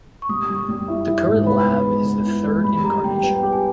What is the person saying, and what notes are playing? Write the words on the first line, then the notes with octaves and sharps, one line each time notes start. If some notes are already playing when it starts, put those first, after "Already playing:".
The current lab is the third incarnation.
C#6
G3 D#6
G3
G3
E4
E4
G#2
B3 B5
B3
G#3
B3
E4
G#3
G3 B5
G4 A#5
G3 G5
B3 G5
G4
G#5